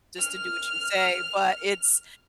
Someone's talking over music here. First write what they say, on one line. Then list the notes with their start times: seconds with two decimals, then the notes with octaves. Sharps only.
just to do what you say, but, it's
0.16 F6 F7